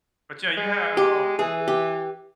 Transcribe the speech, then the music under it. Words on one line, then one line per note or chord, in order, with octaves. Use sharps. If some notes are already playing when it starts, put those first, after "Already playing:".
but, yeah, you had, um
G#3
G4
E3 G#4
G4